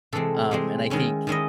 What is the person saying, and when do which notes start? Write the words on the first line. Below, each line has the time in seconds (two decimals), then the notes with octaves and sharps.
Um, and I think
0.13 C3 E3 G#3 C4 A4
0.51 C3 E3 G#3 C4
0.90 D#3 G#3 C#4 E4
1.27 D#3 G#3 C#4 E4 D#5